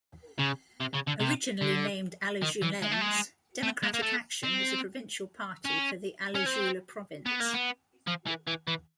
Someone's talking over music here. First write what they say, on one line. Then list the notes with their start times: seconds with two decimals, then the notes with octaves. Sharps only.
Originally named Alajuelense Democratic Action was a provincial party for the Alajuela Province.
0.39 C#3
0.80 C3
0.94 C#3
1.07 D3
1.20 C3
1.61 D3
2.42 D#3
2.62 E3
2.82 G#3
2.91 A3
3.01 G#3
3.63 A3
3.83 G#3
3.94 A#3
4.02 A3
4.43 C4
5.65 C#4
6.35 C#4
6.46 C4
7.26 B3
7.40 A#3
7.54 B3
8.07 F3
8.27 E3
8.47 E3
8.67 E3